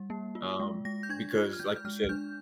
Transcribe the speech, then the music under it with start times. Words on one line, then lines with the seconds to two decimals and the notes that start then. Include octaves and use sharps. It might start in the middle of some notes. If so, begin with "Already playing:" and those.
um, because like you said
Already playing: G3
0.10 A#3
0.35 F4
0.60 G#3
0.85 G#3 A#6
1.03 G6
1.09 D4 G#6
1.35 F4 G#6
1.53 F6
1.60 G#3 G6
1.76 G6
1.85 G#3 F6
2.09 D4 G6